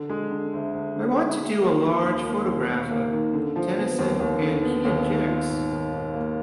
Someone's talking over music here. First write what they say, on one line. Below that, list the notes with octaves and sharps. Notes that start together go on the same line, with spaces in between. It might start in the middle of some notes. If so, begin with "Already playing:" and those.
I want to do a large photograph of Tennyson and he objects!
Already playing: D3
G#3
D3
D2
D2
D3
G#3
G#3
A#3
D#3
D#2
A#3
D#2
A#3
A#3
D#3
D3
F3
B3
D#2
D#2
D3
B3
D#2
D#3
F4
G#2
D#3
G#2
A#3